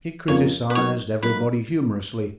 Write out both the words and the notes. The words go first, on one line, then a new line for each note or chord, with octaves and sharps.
He criticised everybody humorously.
F2 C#3 F3 A#3 C#4 C#5
B4
F#3 A#3 D#4 C#5
F#3 A#3 D#4 B4